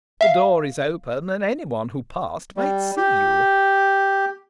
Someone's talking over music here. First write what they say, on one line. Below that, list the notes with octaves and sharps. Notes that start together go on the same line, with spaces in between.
"The door is open, and any one who passed might see you."
E5 F5
G3
G4